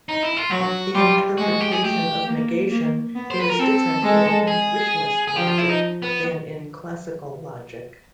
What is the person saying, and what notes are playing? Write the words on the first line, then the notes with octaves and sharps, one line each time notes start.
The interpretation of negation is different in intuitionist logic than in classical logic.
D#4
E4
F4
F#3 F#4
G3 F4
G#3 F#4
G4
G#4
A3 G4
A#3
A#3
B3
C5
B4
A#4
C4 A4
G#3
G#4
G#4
F3 G4
F4
E4
D#4
B3